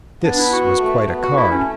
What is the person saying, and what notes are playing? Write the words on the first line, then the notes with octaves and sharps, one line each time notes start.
This was quite a card.
B3 D4
E4
F#4
A3
B3
F#4
A3 E4
C#4